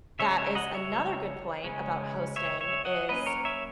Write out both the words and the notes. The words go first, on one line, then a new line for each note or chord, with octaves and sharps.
that is another good point about hosting, is
C#3 G#3 C#4 C#5 E5
C#5 E5
D#5 F#5
C#5 E5
C#3 G#3 C#4
C#5 E5
C#5 E5
D#5 F#5
F#3 A#3 C#4 B4 D#5
A#4 C#5
C#5 E5